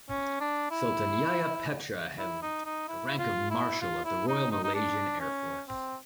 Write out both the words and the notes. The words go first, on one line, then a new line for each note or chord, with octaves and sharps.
Sultan Yahya Petra held the rank of Marshal of the Royal Malaysian Air Force.
C#4
D4
E4
E4
D#4
D#4
E4
F4
E4
F4
E4
D#4
D#4
D#4
D4
C#4
C4